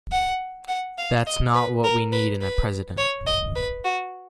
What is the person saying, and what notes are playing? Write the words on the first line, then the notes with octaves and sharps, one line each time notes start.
That's not what we need in a president.
F#5
F#5
F5
D#5
B4
A#4
B4
B4
C#5
D#5
B4
F#4